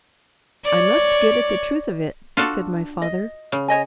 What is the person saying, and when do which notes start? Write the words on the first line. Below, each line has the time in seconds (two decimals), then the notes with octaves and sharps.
"I must get at the truth of it," said my father.
0.64 C#5 D5
2.37 C#4 D4 F4 F#4 A4
3.02 D#5
3.52 C#3
3.68 C#5 D#5 G#5